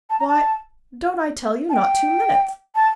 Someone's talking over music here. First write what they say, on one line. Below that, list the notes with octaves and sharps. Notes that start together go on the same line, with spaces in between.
Why, don't I tell you, not two minutes.
A5
A#5
A5
A5
G5
A5